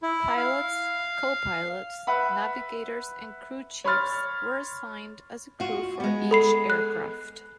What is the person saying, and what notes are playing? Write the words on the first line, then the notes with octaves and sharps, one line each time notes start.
Pilots, co-pilots, navigators and crew chiefs were assigned as a crew for each aircraft.
E4
F5
B4 E5 F#5 B5
C#5 B5 C6 F6 A6
F4 F#4
G#3 B3
A4 B5 C7
F#6